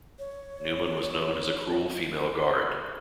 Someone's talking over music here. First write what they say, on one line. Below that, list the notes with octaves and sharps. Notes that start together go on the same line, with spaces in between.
Neumann was known as a cruel female guard.
C#5